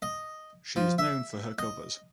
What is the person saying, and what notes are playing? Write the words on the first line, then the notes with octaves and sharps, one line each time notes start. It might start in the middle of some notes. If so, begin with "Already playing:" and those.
She is known for her covers.
D#5
F3
E5
D#5